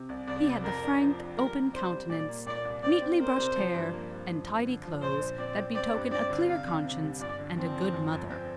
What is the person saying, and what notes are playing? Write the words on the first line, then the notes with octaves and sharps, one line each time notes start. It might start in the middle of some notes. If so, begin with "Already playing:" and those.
He had the frank open countenance, neatly brushed hair and tidy clothes that betoken a clear conscience and a good mother.
Already playing: C3
C2
C2 D5
C3
F2 A#4
D4
F3
D4
G3 A#4
C3
D4 C5
G3
A#2 D5
A#3
A#2 D5
C2
C4 D5
C4
A#4 C5
C3
F3
G2
A#3
G2
F3
F2
D3
F3
A#1 C5
A#1
C4 D5
C4
C4 D5
G2
C4 D5
D3
C3 F5
C2
C3
G3
G1 D5
D3
F3 C4
F3
G1
F2
C4